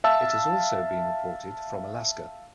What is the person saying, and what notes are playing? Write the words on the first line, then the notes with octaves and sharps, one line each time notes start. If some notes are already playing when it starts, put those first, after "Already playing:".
It has also been reported from Alaska.
E5 F5 A5 E6